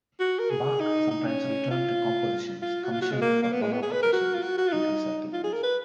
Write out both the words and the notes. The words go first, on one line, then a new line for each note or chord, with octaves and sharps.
Bach sometimes returned to compositions commissioned for one-off occasions and recycled the music.
F#4
A#4
G#4
D#4
D#4
C#4
F4
F4
F#4
F4
F#4
G#3
A#3
A#3
B3
G#3
B3
G#4
B4
A#4
F#4
F4
F#4
F#4
F4
D#4
F4
G#4
A#4
B4